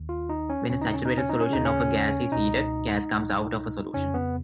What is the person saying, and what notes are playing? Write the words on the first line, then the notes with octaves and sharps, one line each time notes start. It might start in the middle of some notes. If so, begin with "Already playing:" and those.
When a saturated solution of a gas is heated, gas comes out of solution.
Already playing: D#2 D#3
F4
D#4
C#4
D#2 C#3 C#4
D#4
C#4
D#4
C#4
D#4
C#4
D#2 C#3 D#4
C#4
C#2 B2 D#4
C#2 B2
F2 C#3 C#4
B3